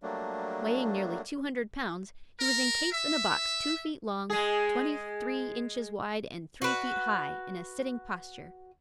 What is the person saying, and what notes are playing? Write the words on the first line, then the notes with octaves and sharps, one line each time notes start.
Weighing nearly two hundred pounds, he was encased in a box two feet long, twenty-three inches wide, and three feet high, in a sitting posture.
F#3 G3 A3 A#3 D4
A#4
E5
G#3 G#4
F#4 B4